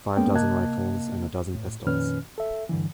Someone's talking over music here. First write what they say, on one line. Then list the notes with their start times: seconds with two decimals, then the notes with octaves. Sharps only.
Five dozen rifles and a dozen pistols.
0.17 G#3 A#3 B3 C#4 G5
0.35 C3 A#3 D#5 A5 F#6 G#6
1.55 A2
1.87 F2 A#2 D#3 C#4 B4 F6
2.38 A4 E5
2.69 G2 D3 E3